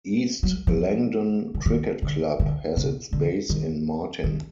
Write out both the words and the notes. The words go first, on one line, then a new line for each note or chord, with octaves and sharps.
East Langdon Cricket Club has its base in Martin.
F#3
F3
D3
D#3
D3
D3
C#3
D3
D#3
D#3